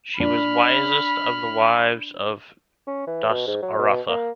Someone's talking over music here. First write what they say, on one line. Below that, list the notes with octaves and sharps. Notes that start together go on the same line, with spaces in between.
She was wisest of the wives of Dasaratha.
D4 B5 F6
C#4
E3
B2
G#2
F#3
B2
A#3